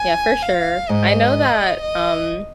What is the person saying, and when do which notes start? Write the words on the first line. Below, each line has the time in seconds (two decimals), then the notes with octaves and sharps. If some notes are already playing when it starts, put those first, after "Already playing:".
Yeah, for sure. I know that, um
Already playing: G#5
0.42 F5
0.89 G#2 D#5
1.82 D#5